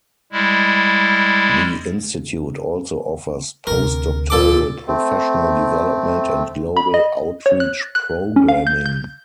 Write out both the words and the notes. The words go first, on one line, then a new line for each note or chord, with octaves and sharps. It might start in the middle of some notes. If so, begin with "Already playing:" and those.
The Institute also offers Post Doctoral, professional development and global outreach programming.
G3 G#3 E4
D2 C3 A#4
A#2 A4 D6
A3 C4
B5
D#5
C#5
F#6
F#6
C#4
F5
G6
G6